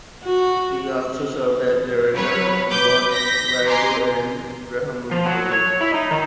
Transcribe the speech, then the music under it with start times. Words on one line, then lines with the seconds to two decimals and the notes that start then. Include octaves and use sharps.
He also served as narrator to both "Varudu" and "Rudhramadevi".
0.25 F#4
2.13 F#3 B4 C#5
2.70 B4 D6 G6
3.12 G6 A#6 B6
3.68 D#5 G#5 A#5 C6 D6
5.11 F3
5.26 F#3
5.51 C#5
5.81 E4
5.94 D#4
6.11 D#3